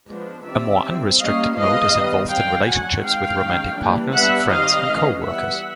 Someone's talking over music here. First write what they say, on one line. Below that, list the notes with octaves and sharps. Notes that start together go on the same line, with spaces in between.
A more unrestricted mode is involved in relationships with romantic partners, friends, and coworkers.
F3 G#3 B3 D4
D#3 G3 C4 D5 E5
G3 C4
G3 A#3 C#4 D#5 F5
F3 G#3 B3 D#5 F5
D#3 G3 B3
G3 C4 F5 G5
D3 F#3 A3 F#5 G#5
D#3 G#3 C4 F5 G5
D#3 G#3 C#4
E3 G3 A#3 D4
G3 B3 D4 E5 F#5
D#3 G3 C4 D#5 F5
E3 A3 C#4
E3 G3 B3 E5 F#5